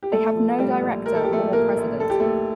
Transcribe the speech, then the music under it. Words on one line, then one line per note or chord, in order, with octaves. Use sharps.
They have no director or president.
G4
A#1 A3 A4
F3
A2 G3 G4
A#1
A#1 A#4
A4
G4
F3 A3 A4
A2 A#3 A#4
A#1
D#2 A4
G4
D#2 A3 A4